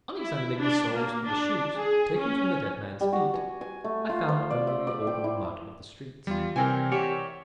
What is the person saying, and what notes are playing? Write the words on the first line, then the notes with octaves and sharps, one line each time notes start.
On examining the soles of the shoes taken from the dead man's feet, I found only the ordinary mud of the streets.
E4
D4
A#3
D4
G#4
C#4
G3
F#4
G#5
G#5
A3
F4
C5
D5
E5
D5
G5
E4
E2 G3 F4
C3 E3 G3 C4 A#4 G5 G#5
G4 C#5 D5 E5 F#5